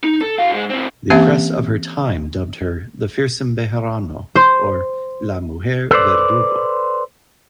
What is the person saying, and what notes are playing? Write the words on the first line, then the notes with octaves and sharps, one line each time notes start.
The press of her time dubbed her "The Fearsome Bejarano" or "La Mujer Verdugo".
D#4
A4
F#4 F5
G#2 G#3
A2 C4
E3 A#3 C4 C#4 G4 E5
C5
A4 B4 C5 D5